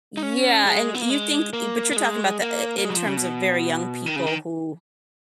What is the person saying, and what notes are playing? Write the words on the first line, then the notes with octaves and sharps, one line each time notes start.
Yeah, and you think e but you're talking about the i in terms of very young people who
D#4
C#4
G#3
B3
A#3
G#3
A#3
A#3
G#3
A#3
A#3
G#3
F#3
F3
C#3
B2
D#3
C#3
D#3